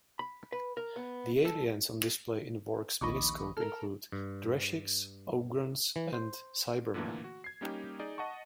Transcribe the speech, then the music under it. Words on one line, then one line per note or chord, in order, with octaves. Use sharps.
The aliens on display in Vorg's miniscope include: Drashigs, Ogrons and Cybermen.
B5
B4
A#4
B3
A4
A#1 D#2 D#5 B5 C#6 D6
A4 A#4 F6
G2
E3
C5
A#2 D3 E3 A3 A#3
F#4
G#6 C7
G3 A#3 C#4 D#4 G4
D#4 G#4 D5
D#5 F#5 A5 C#6